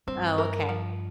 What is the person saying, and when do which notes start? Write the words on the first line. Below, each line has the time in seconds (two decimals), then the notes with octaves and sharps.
Oh, okay.
0.07 G2 C4
0.38 A#4
0.69 F3